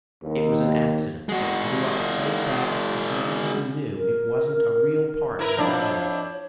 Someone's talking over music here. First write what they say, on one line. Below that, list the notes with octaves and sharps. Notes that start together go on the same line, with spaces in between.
It was an accident that grew up so fast it never even knew it wasn't a real part of the government.
D#2
G#3 F#4
A#4
E4 A#4 B4
F2 D4 E4 C#5